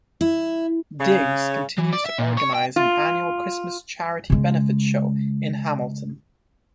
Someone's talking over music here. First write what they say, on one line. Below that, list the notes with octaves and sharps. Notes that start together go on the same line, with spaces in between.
Digs continues to organize an annual Christmas charity benefit show in Hamilton.
E4
C#3
E3
D5
E5
A#2
C#5
G5
F4
C#3 G#3